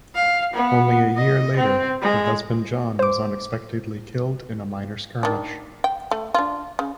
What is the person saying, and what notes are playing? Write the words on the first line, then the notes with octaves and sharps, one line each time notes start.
Only a year later, her husband John was unexpectedly killed in a minor skirmish.
F5
B3
D#5
C4
G#3
C5 D6
D#3 D4
G5
A3
D4 F4
C#3